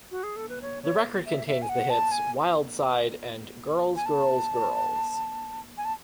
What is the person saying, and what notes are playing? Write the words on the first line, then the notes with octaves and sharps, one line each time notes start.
The record contains the hits "Wild Side" and "Girls, Girls, Girls".
F#4
G#4
A4
B4
C#5
C#5
E5
E5
G#5
F#5
A5
G#5
G#5
A5
G#5
A5